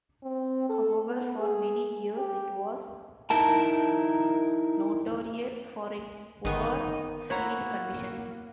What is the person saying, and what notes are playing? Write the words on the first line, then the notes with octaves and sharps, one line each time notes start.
However, for many years it was notorious for its poor field conditions.
C4
A4
B3
G#4
G4
D#4 E4 A#4 A5
G1 D#3 B3 D#4 C#6
A#3 E4 F#4 C5 C#5 A#5